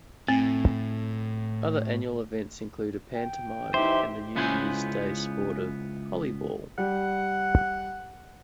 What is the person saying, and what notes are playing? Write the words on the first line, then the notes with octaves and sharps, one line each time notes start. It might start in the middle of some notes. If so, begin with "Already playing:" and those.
Other annual events include a pantomime and the New Year's Day sport of "collyball".
A2 C4
G5
E3 D#4 E4 G4 C5 E5
C#2 B3 C#4 E4 C5 G#5
G3 F#5